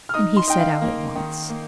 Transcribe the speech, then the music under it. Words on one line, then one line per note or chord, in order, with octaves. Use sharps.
And he set out at once.
F6
D#4 D#6
C6
D#4 G5
F5
A#3
D#3
A#3